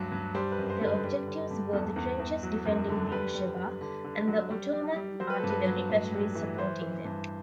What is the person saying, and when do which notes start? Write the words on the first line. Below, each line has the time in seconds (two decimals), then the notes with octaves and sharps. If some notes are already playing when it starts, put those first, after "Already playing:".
Their objectives were the trenches defending Beersheba and the Ottoman artillery batteries supporting them.
Already playing: D2 G2 F#3
0.12 G2
0.35 G3 C5
0.52 B4
0.58 F#2
0.70 C5
0.81 D3
0.87 B4
1.04 G3
1.27 D3
1.51 G2
1.73 E2 A4
1.96 E2
2.20 E2
2.43 F#3
2.65 F#2
2.89 D3
3.12 G3 B4
3.35 G3
3.58 G3
3.81 D3
4.04 D3
4.28 F#3
4.50 G3
4.73 G3
4.96 G3
5.20 F#3 C5
5.30 B4
5.40 G2 A4
5.50 B4
5.67 F#3
5.89 A2
6.12 G3
6.35 E3
6.58 E3 C5
6.82 E3
7.05 G2